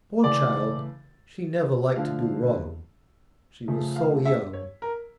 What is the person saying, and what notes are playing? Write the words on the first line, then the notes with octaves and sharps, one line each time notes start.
Poor child! she never liked to do wrong,--she was so young!
C#3 E3 A3 D5
D3 F3 A3 F5
C#3 F3 A3
F5
E5
C#5
A#4